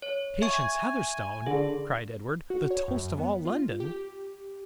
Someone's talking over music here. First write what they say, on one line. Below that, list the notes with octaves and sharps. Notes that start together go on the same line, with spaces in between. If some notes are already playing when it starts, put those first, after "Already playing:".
"Patience Heatherstone," cried Edward, "the toast of all London!"
C#5
E5 G#5 C#6
D3 G#4
F#4
C#5
F#2
B3
F4
G4